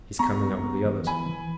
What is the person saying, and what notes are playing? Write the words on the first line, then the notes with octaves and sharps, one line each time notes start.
He is coming up with the others.
B3 A#5 C#6
B3
B3
E3
E3 G#5 B5
E3